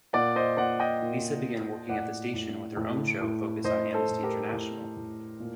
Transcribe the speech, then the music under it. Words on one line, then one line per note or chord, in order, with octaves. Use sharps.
Lisa began working at the station with her own show focused on Amnesty International.
A#2 D5 F#5
C5 D#5
A#2 D5 F#5
D#5 G5
A#2
A#2
A2 D5 F#5
A2
A2
A2
A2 C5 D#5
A4 C5
A2
G4 A#4
A2
A2
A#2